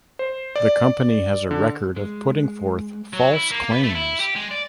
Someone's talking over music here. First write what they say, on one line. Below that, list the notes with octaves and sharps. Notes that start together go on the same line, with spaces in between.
The company has a record of putting forth false claims.
C5
D5
D3
G#3
F#3
E4
A#3
B3
A3
E4
G4
G#3
D5